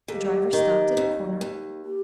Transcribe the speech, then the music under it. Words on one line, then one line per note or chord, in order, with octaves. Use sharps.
The driver stopped at a corner.
D#2 G4 A4
D#3
D#2
D#2
G4